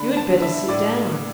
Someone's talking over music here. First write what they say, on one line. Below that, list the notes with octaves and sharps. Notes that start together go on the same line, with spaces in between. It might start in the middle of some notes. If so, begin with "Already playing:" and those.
"You had better sit down."
Already playing: D3 B5
A5
D3
E5
A2 D5